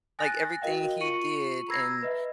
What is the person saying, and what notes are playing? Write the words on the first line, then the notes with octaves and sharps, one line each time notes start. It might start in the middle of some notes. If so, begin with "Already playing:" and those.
like, everything he did and,
G#5 D#6 F#6 A6 A#6
F#4 A#4 D#5 F5 G5
F4 C#6 C#7 D#7 F#7
A#5 B5 E6 G#6 A#6 C7
B4 D#5 E5